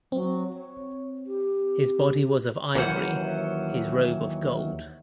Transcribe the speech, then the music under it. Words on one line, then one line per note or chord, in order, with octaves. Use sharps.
His body was of ivory, his robe of gold.
F#3 C4
C#5
G4
D#2 E3 F#3 C#4 C5 F#5